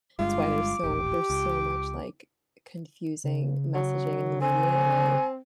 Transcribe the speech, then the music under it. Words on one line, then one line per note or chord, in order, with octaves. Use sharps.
it's why there's so there's so much, like, confusing messaging in the media, and I
G1 G2 G#3 F4 D6
D#1 A1 G4
C#2
C#3
F#3
C4 G#5